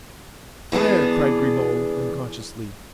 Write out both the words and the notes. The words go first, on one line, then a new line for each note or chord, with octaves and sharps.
"Fire!" cried Grimaud, unconsciously.
E3 B3 D4 G#4